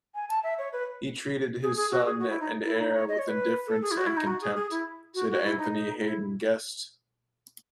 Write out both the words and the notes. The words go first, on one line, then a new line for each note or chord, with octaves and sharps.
"He treated his son and heir with indifference and contempt," said Anthony Haden-Guest.
G#5
A5
E5
C#5
B4
G#4
G#4
F#4
G#4
F#4
E4
D#4
E4
D#4
C#5
D#5
C#5
B4
A4
G#4
E4
F#4
E4
D#4
F#4
G#4
G#4
E4
F#4
F#4
E4
D#4
E4